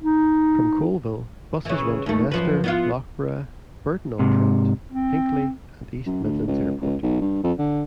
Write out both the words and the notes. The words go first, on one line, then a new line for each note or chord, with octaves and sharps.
From Coalville, buses run to Leicester, Loughborough, Burton-on-Trent, Hinckley and East Midlands Airport.
D#4
C#3 E3
D#2 A3
F#2 F3 B4
B3 E4 F4
G#2 C3
C4
F#2
D2
C#2
C#2
B1
G2
F2
D3